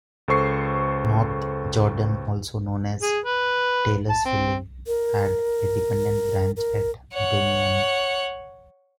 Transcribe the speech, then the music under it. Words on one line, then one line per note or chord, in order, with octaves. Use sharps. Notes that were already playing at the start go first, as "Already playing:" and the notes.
North Jordan also known as Taylorsville had a dependent branch at Bennion.
C#2 A4 C5 C#6 C7
G#4
B4
A5
C4
A#4
A#4
C#5 F#5